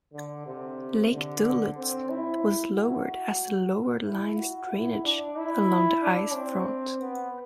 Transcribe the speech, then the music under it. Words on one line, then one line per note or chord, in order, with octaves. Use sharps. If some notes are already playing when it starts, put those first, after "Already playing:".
Lake Duluth was lowered as lower lines drainage along the ice front.
D3
C3
D3
C4
E4
F#4
E4
F#4
E4
D4
E4
D4
C4
B3